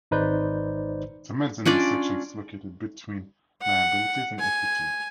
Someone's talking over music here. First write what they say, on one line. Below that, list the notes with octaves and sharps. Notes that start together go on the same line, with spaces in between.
The Mezzanine section is located between liabilities and equity.
G#1 D#4 B4 C5 D5 G6
C#4 D4 F4 D5
F#5
G#5